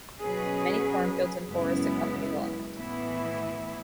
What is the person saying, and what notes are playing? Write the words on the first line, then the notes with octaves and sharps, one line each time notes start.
Many cornfields and forests accompany the land.
B2 F#3 C#4 G#4 B4
F#2 C#3 G#3 B3 E4
A2 E3 B3 E4